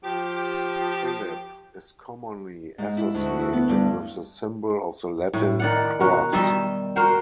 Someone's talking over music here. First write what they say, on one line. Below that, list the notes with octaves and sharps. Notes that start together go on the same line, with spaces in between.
Philip is commonly associated with the symbol of the Latin cross.
F3 G4
G#2
E4
D2
F#4
E4
B3
G2
A2
D#3 D5 F#5
B2 F#4 A#4
D#3 G3 D#5 E5
F#4 A#4 C5 G5